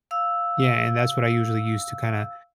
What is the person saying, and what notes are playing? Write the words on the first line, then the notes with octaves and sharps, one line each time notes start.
yeah, and that's what I usually use to kinda,
F5 E6